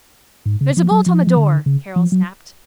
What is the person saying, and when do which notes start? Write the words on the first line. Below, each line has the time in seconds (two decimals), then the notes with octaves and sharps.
"There's a bolt on the door!" Carroll snapped.
0.46 G#2
0.61 C#3
0.77 F3
0.91 F#3
1.06 F3
1.27 F3
1.37 D3
1.66 C#3
1.96 F3
2.12 F#3